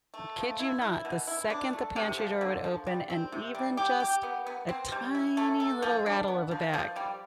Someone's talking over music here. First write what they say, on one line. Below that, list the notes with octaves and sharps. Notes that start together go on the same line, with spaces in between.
kid you not, the second the pantry door would open and even just a tiny little rattle of a bag
A3
F3
E4
E4
B2
E4
D4
A3
C3
F3
D3
F3
G3
C4
C3
G3
G4
G4
B3
B3
C4
G3
E4
A3
A4
F3
D4
B3
F3
F3
G3